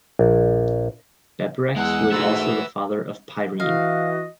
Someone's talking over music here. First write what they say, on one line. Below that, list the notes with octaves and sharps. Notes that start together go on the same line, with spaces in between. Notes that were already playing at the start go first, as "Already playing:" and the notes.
Bebryx was also the father of Pyrene.
A#1
E2 G#3 F#5 E6
G#2 A3 F#4 B4 E5 E6
E3 F#4 D#5 F5